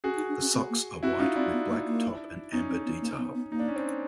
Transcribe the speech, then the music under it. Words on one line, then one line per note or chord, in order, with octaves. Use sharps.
The socks are white with black top and amber detail.
C#4 F#4 G#4
D#4
D4
C#4
C4
A#3
C4 E4 F#4
C#4 D#4 F4
C4 D4 E4
B3
A#3
A#3
B3 C#4 D#4
C4
B3
A#3
B3
B3
A#3 D#4
D4
C#4
C4 D4